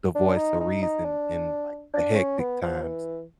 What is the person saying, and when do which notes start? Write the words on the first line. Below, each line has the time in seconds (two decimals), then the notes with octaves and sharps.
the voice of reason in, like, the hectic times."
0.15 D4
0.38 D#4
0.60 D#4
0.82 D#4
1.05 D4
1.94 D4
2.16 C#4
2.39 B3
2.62 F3
2.83 E3